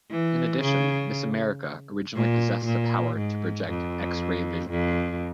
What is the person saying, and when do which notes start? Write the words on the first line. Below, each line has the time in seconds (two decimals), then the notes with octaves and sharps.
In addition, Miss America originally possessed the power to project "X-Ray Vision".
0.11 E3
0.62 C#3
2.16 A#2
2.66 A#2
3.17 G#2
3.69 F2
4.70 F2